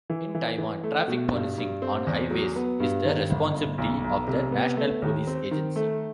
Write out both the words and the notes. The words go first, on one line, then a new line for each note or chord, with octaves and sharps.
In Taiwan, traffic policing on highways is the responsibility of the National Police Agency.
E3
E3
E3
A3
B2
G2
G2
C4
E2
F#3
B3
G2
D#3
G1
G1
B1
B1
C3
B3
A3
D#2
C4
D#3
A3